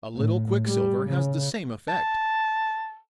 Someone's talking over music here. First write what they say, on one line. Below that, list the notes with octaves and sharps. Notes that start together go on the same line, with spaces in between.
A little quicksilver has the same effect.
A2
G3
C#3
A5